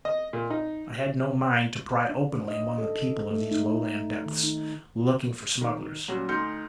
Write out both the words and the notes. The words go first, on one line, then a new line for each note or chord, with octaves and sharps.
I had no mind to pry openly among the people of these Lowland depths, looking for smugglers.
D#5
A#2
D#4
D4
D#5
A4
A3
D#4
D#3
D#4
D#3
A#2 F#3 G3 C#4 F#4
D2 D#4 C6 F6 G6 C#7